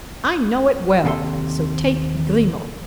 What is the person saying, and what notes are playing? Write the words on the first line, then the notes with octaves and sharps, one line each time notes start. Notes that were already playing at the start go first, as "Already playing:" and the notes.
"I know it well, so take Grimaud."
D#2 C3 G4 A4 C6